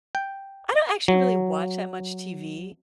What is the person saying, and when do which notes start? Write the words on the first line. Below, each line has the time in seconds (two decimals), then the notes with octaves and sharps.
I don't actually really watch that much TV.
0.15 G5
1.08 F#3